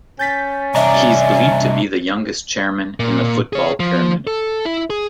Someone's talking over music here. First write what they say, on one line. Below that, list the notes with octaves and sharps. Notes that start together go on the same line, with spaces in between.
He is believed to be the youngest Chairman in the Football Pyramid.
C#4 G6 A6 B6
C2 D4 D#5 E5 A#5
A#2
G#4 C#5
F3
A4
E4
G#4